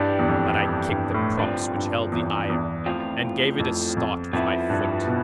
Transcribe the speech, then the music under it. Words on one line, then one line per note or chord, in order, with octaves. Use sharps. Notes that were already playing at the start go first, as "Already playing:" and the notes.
But I kicked the props which held the iron, and gave it a start with my foot.
Already playing: G2 E3 G3 D4
E2
F2
F2
G2
A2
G2 D3 F3 C4
G2
E2
E2
A2 F3 C4 F4
F2
F2
F2 F3 B3 E4
G2
B2